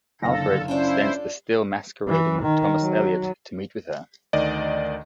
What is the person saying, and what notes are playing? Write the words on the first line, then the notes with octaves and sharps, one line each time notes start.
Alfred sends the still-masquerading Thomas Elliot to meet with her.
F#1 D3 A4 F5 A#6
C#4 D4 E4 F4 A4 C5
E3
D#3
F#3
D2 D#3 D5 D#5